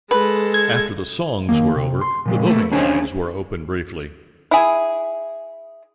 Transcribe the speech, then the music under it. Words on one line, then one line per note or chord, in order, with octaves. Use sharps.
After the songs were over, the voting lines were open briefly.
G#3 A4 B4
G#6
D#2 A#3
C3
C6
A#2 F3 G#3
A3 A#3 A4 B4
C#4 D4 G#4 C5 C#5
E4 G#4